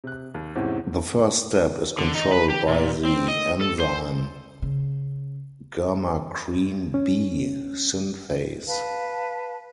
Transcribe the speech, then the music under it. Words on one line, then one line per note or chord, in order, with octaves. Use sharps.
The first step is controlled by the enzyme germacrene B synthase.
C3 F#6
D#2
E2 G#2 C3 E3 C4 C#4
D3
D#4
B4
G4
A#2
C4
D#5
A4
C5
C#3
C#4
B4 F5 A5